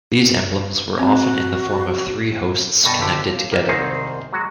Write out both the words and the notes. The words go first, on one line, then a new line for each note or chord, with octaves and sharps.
These emblems were often in the form of three hosts connected together.
C4 F#4
G2 B2 A4 D#5
G1 D3 G4 G5
C#5 F5
A#3 G4
C2 G#2 D#3 C4 D#4 G#4
F#3 G#3 F#4